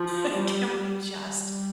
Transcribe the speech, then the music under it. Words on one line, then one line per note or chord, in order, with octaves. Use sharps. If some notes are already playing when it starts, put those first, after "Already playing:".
Like, can we just
Already playing: F3
G3
G3